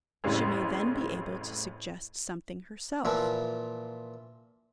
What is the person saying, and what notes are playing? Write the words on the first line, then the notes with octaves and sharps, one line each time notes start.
She may then be able to suggest something herself.
A1 F2 A2 C#3 G3 G#3
A#2 E3 F3